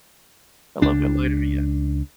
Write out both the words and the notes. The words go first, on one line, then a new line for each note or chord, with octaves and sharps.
a little bit later. Yeah.
C#2 D4